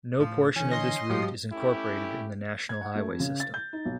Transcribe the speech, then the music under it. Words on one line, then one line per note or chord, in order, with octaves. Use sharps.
No portion of this route is incorporated in the National Highway System.
A2 F3
D3 E3 C#4
D#5 C6
G#2 F3 F#3 G4
A3 C#4 E4 G4
G#6
F#5
A3
F2
C#3
A6
G6
D#4
B1